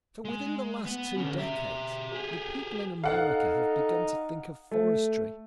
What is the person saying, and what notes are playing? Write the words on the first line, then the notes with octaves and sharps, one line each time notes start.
So, within the last two decades, the people in America have begun to think of forestry.
G#3
B3
D3 C#4
G4 E5
G4 G#4
D#4 A4 F5 F#5
A3